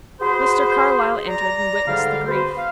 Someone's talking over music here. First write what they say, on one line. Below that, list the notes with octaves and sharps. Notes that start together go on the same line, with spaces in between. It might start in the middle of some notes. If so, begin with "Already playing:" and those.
Mr. Carlyle entered and witnessed the grief.
F#4 G#4 B4 C5
D5 A#5
G#2 D3 G3 F5
B3 F#4 B4 C5
F5